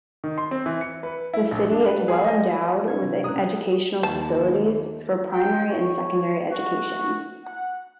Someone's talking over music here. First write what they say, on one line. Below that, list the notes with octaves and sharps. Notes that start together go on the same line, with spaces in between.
The city is well endowed with educational facilities, for primary and secondary education.
D#3
C6
C4
E3
C#7
B4
E4
A#1
D4
B4
G#4
D#5
A4
C4 D4 F5 G#6
C3 E3
B2 G#3 A#3 C#4 A#5 D#6 F#6
D#2 A5
G5
C#5
F#4
F#5